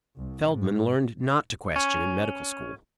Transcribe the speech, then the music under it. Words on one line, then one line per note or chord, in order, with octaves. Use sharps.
Feldman learned not to question in medical school.
C2
G#2
C#4